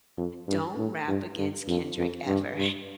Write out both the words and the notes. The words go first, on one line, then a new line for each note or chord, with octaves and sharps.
Don't Rap Against Kendrick Ever.
F2
G2
A2
G2
G2
F2
F2
G2
G2